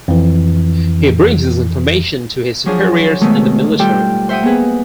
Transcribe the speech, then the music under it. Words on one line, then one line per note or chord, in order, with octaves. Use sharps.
He brings this information to his superiors and the military.
F2 E3
F3 F#3 D4 F4 G#4
B2 D#3 G#3 A3 D#4
G3 F4 G4 A4 G5
C5 E5 F#5 G5 D#6
A#3 B3 G#4 B4